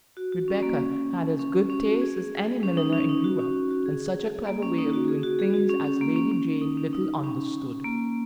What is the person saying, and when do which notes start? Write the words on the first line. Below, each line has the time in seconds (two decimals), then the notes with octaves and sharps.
Rebecca had as good taste as any milliner in Europe, and such a clever way of doing things as Lady Jane little understood.
0.17 F#4
0.32 F#4
0.48 C#4
0.63 A#3
0.78 C#4
1.39 C#4
1.70 C#4
1.86 F#4
2.02 G#4
2.63 C#4
2.77 D#4
2.93 C#4
3.09 D#4
3.24 F#4
3.39 C#4
3.71 F#4
3.86 G#4
4.01 G#4
4.47 A#3
4.63 C#4
4.78 D#4
4.94 F#4
5.08 G#4
5.23 F#4
5.39 G#4
5.54 F#4
5.69 C#4
5.85 C#4
6.01 A#3
6.16 C#4
6.32 C#4
6.62 D#4
6.77 C#4
6.93 D#4
7.24 C#4
7.84 A#3